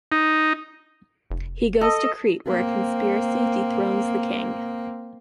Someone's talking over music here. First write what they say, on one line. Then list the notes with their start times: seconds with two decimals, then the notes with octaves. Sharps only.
He goes to Crete where a conspiracy dethrones the king.
0.12 D#4
1.30 F1
1.81 A4 D#5
2.46 A#3 C4